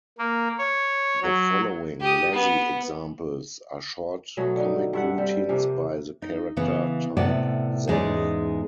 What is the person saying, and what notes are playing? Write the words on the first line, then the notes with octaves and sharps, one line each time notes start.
The following Lazzi examples are short comic routines by the character type Zanni.
A#3
C#5
F#3
G4 D#6
B3
B2 F#3 A3
D3 D#4
G2 E5 F#5
G3 C4
C3 F3 A#3
D#4
C#3 E3 B3
A2 C3 B3 D5 F#5
E2 G#2 G#3 C#4 D#4 D5